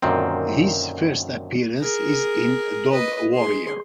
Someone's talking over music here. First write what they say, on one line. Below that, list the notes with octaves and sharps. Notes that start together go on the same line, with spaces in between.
His first appearance is in "Dog Warrior".
F#2 A#2 D3 D#3 C4
G#4 A#4
B4 D#5
G#4 C6